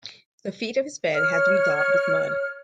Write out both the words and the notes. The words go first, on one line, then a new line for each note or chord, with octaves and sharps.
The feet of his bed had to be daubed with mud.
C#5 F6